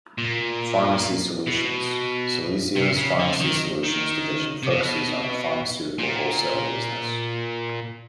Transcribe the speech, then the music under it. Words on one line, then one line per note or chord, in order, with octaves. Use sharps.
Pharmacy solutions: Celesio's Pharmacy Solutions division focuses on the pharmaceutical wholesale business.
A#2
B2
C3
C#3
D3
D#3
D#3
C3
B2
A#2